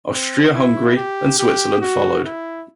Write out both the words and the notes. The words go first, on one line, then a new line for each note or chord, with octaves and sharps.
Austria-Hungary and Switzerland followed.
C4
E4
G4
G4
F#4
E4